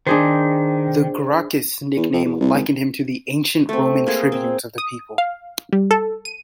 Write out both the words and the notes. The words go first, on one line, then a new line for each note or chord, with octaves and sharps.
The "Gracchus" nickname likened him to the ancient Roman tribunes of the people.
D#3 D4 G#4 C5
E2
F2
E2
C2
G#1
A3 C4
A#3 G#4 C6
C4
D#6
F5
G3
A4
D#7